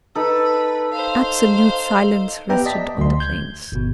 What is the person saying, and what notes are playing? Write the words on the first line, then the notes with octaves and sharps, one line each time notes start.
Absolute silence rested on the plains.
D#4 A4 B4
C5 F5
B3 G4 B4 E5 G5 A#5
D5 D#5 A5 B6
D2 C6
G6 G#6
G1 B2